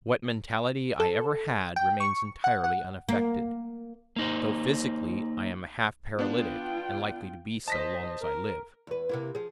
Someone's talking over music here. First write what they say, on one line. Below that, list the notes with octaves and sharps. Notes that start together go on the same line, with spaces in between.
What mentality I ever had remains entirely unaffected; though physically I am a half-paralytic, and likely to be so, long as I live.
A4
G5
C#6
F#5
F#5
A#3
A#3 D#4 C5
B3 D4 F4 G5
C5 D#5 A5 A#6 B6
A#4
E2 B4
C3 A#3 E4
F3 G#4